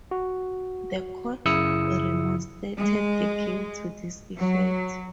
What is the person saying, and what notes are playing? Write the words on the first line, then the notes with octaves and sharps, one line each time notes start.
The court remonstrated the King to this effect.
F#4
F#2 C#3 E4 D#6 E6 C#7
G#3
F#3